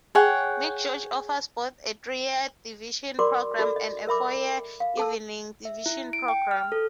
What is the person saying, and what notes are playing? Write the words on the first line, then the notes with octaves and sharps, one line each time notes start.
McGeorge offers both a three-year day division program and four-year evening division program.
G#4 C#5 F#5 G5
F#4 A#4 D5 C6 D6
F#4 A4 D5
D#5
A#4 E5 B5 D6
F5
A4 A5 E6
E5
E4
D7
G5
F6
A4